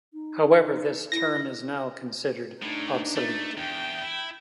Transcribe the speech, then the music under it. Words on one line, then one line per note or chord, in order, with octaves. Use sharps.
However this term is now considered obsolete.
D#4
E4 A#6
A2 D4 D#4
A3
E2 G5
E4